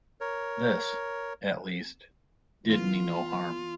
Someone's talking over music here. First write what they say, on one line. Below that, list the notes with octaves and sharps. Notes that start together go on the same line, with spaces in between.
This, at least, did me no harm.
A#4 C#5
E3 B3 F4